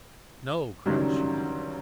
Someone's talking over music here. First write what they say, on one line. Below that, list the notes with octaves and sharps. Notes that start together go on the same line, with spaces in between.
"No!" cried she.
C#2 F#2 D3 D#3 F#3 G3